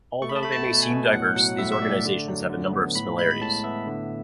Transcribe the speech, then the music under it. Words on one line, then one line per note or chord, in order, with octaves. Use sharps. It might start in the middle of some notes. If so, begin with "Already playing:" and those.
Although they may seem diverse, these organizations have a number of similarities.
A3 C#6
B5
A5
A3 B5
A5
B2
G#5
B2
A2 F#5
F#3 F#5
A2 E5
E5
A3 D5
D3
F#3
D3
B3
A2 B5
G#3 B5
B5
A2 A5
B3 E5
D3